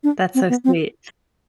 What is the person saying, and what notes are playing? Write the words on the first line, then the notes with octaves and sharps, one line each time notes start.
That's so sweet.
D4
C4
B3
C4